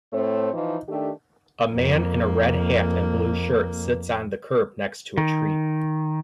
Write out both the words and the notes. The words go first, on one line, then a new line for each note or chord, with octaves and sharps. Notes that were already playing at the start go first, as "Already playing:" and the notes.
A man in a red hat and blue shirt sits on the curb next to a tree.
A2 A3 C4 C5 C#5
E3 F3 D#4
D#3 A3 D4 G4
F2 A#3
D#3